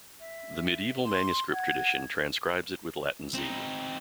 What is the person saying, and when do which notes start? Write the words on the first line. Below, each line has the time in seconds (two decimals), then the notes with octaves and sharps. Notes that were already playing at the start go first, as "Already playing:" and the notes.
The medieval manuscript tradition transcribes it with Latin Z.
0.20 E5
1.04 C6
1.53 F#5 G#6
3.35 C4 D#4